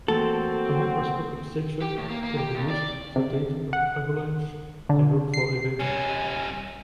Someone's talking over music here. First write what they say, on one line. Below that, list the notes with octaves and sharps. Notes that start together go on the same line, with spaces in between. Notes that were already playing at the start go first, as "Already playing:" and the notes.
A macroscopic section can be used for dating of avalanche and rockfall events.
E3 A3 A#3 C4 F#4 A4
G4
A2
A#3
A#3
G4
D#2
D5
C3
F#5
D3
C7
G3 C#4 G#5